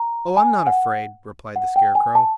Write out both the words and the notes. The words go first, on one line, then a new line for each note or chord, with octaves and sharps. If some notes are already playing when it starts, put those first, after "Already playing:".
"Oh, I'm not afraid," replied the Scarecrow.
Already playing: A#5
G#5
F#5
F#5
G5
G#5
A5